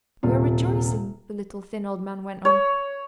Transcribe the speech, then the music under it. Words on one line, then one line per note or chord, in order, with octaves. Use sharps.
"We are rejoicing," the little, thin old man went on.
D#1 C3 F4
C#5